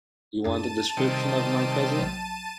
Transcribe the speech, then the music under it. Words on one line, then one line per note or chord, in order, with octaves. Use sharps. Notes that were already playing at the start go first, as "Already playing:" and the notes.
You want a description of my cousin?
F#2 D4 G#4 A5 D#7
C3 D#3 G3 C#7
A#1 F#3